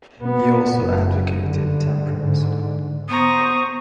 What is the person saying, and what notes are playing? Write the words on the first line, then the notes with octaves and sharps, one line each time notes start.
He also advocated temperance.
B2 B3
F#1
G2 D3
G#2 D3
B3 C5 A#5 C#6 D#6